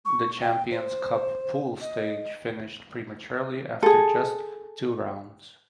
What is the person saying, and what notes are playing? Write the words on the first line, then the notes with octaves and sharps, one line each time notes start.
The Champions Cup pool stage finished prematurely after just two rounds.
C#6
G5
C5
D#5
G#4 A4